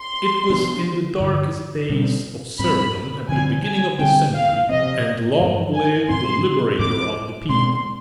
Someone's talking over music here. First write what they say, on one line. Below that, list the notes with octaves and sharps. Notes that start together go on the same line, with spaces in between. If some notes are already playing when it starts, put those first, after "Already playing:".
It was in the darkest days of serfdom at the beginning of the century, and long live the Liberator of the People!
Already playing: C6
C3 F3 B3 D4
G2 D3 F3
B2 G3 C4
G#2 G3 C4 B5
D3 F3 G#3 C4 G#5
G#5
D3 G3 C4 G5
F5
C3 F3 C4 D#5
G2 F3 G#3
G#5
G#2 F3 C4 C6
G#2 F3 C4 D6
B2 G#3 C4 C6